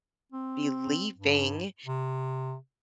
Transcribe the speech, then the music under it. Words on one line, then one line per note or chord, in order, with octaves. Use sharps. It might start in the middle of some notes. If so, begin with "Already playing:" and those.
be leaving,
C4
G2
C3